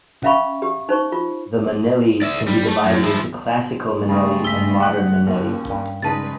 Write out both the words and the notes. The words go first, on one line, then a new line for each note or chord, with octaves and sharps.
The manele can be divided into "classical manele" and "modern manele".
C#4 E5 F5 B5 C#6
G4
D#4 C5 C#6
F4
D5 E5
G3
A3
F#2
F3 E4
G2 C#3 G#3 A3
E6 B6 G7
F#5 F#6
D#2 C#4
G2
C#3 G#3 D#4 B4 A5 A6